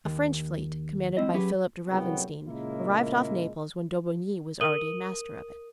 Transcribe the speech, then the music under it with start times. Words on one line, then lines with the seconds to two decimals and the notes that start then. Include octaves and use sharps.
A French fleet, commanded by Philip de Ravenstein, arrived off Naples when D'Aubigny was already master of it.
0.05 D#2
1.17 G#3 C4 E4 D#5
1.33 F#3 C#4 G4 G#4 B4
1.88 F#1 C2 F#3 B3 G5
2.46 A#2 C#3 G#3 A#3 E4
4.61 A#4 D#6 D#7 F#7 G7